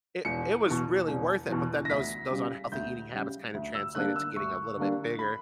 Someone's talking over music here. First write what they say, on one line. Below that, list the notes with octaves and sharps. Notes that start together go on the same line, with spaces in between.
it it was really worth it, but then those those unhealthy eating habits kind of translated to getting a little bit bigger,
E1 C#7
E2 B2
E1
E2 B2
A#6
D2 B6
C#3 G3
D2 G6
C#3 G3
D2
E6
D3 G3 A#3 D4 F#6
E6
D2 C#6
D3 G3 A#3 D4
B5